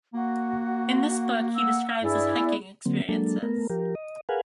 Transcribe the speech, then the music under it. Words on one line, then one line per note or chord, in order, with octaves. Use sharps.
In this book he describes his hiking experiences.
A#3 F#4
F#5 E6
G2 E4 G#4 D5
B3
D3 F#3 A#3 C4
F#3 G#3 A#3 D4 A4
A3 B3 A#4
F3 G4 A#4
D#5
G#4 A#4 B4 F5 F#5 G#5